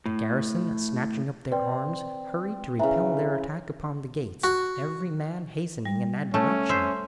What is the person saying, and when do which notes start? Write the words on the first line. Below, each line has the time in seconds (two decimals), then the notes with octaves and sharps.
The garrison, snatching up their arms, hurried to repel their attack upon the gates, every man hastening in that direction.
0.06 A2
1.52 C4 B4 D5 G5
2.79 C#3 E3 E5 A#5
4.44 F#4
5.85 G3
6.34 A3 C#4
6.69 C5 E5